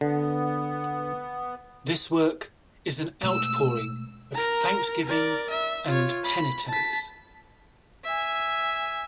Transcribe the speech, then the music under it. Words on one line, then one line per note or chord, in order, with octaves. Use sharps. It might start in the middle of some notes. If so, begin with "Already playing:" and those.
This work is an outpouring of thanksgiving and penitence.
D3 B3
B2 G#3 A3 E6
A#4 A#5
A#4 D5
E5
F4 C#5
B5
A5 B6
E5 G#5